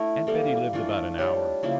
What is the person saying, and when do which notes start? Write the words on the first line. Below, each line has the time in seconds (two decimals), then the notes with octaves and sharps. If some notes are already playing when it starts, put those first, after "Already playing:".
Aunt Betty lived about an hour.
Already playing: A3 D4 E4 A#4
0.27 E3 G3 A#3 A4
0.73 E3 A3 D4 F4
1.18 G3 D4 G4 C#5
1.63 C#3 F3 A#3 E4